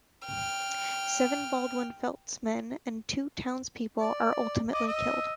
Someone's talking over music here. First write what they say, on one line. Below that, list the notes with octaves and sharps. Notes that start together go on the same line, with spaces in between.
Seven Baldwin-Felts men and two townspeople are ultimately killed.
G5 F6
D5
D#5 D6
D#5 E6